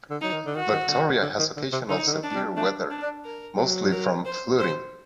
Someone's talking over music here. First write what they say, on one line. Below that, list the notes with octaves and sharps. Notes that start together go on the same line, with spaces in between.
Victoria has occasional severe weather, mostly from flooding.
D3
F#3 D#4
D#3
D3
D#3 F#4
D#3
D3
D3
D#3
D3
C3
D3 D#4
D3
D#3
D4
G3
A3 D4
D4
D4
A#4
F#3
A#4
C5
C5